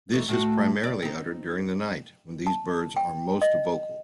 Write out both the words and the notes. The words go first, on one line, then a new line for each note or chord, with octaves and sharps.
This is primarily uttered during the night, when these birds are most vocal.
E3 A3 D#4
A2 A3 F#4
D2 D5
C4 D#4
A5
G5
D#5